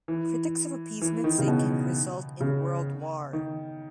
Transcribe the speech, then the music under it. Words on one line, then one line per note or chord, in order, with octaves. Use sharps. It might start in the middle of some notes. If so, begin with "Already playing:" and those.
Critics of appeasement say it can result in world war.
E3
E3
D#3
C#3
B2
C#3
D#3